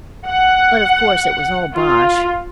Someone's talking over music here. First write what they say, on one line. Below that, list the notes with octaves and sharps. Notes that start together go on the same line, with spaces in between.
But of course it was all bosh.
F#5
F4